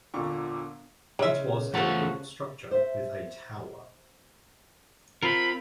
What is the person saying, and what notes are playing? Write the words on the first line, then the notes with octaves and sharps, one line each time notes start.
It was a brick structure with a tower.
E1 A#2 D3 C#6
C#3 G#3 E5
E2 F3 A3 A#3 F#4 A5
C5 E5
C4 F4 A#4 B5